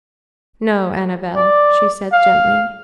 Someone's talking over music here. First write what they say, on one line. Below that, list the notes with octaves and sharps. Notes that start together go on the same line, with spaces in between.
"No, Annabel," she said gently.
D5
F5